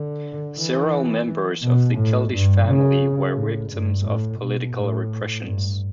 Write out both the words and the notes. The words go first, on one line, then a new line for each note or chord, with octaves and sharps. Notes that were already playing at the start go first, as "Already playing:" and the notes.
Several members of the Keldysh family were victims of political repressions.
Already playing: D3
E3
B2
A2
G2
C#3
A2
G2
A2
B2
A2
G2